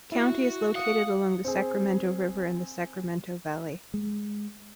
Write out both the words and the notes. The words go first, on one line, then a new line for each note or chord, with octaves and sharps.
The county is located along the Sacramento River in the Sacramento Valley.
E4 F#4 C#6
F5 F#5 D#6 C#7
C4 G#4
G#3